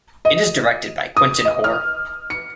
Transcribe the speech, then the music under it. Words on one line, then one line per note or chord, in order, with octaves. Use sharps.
It is directed by Quintin Hoare.
D#5
D#6
D#5
F6
C#7